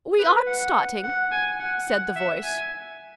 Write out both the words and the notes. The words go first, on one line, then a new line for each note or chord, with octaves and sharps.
"We aren't starting," said the voice.
B4
F#5
F#5
G#5
F#5
F#5
E5
G#5